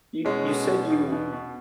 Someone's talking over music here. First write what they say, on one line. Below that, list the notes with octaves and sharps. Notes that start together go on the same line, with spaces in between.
You you said you
B2 G#3 C#4
B2
B2
E2
B2
B2